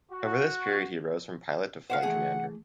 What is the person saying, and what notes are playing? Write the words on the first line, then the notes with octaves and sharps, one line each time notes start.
Over this period he rose from pilot to flight commander.
F#4
C5 C#5 F5 F#5
E3 A3 G#4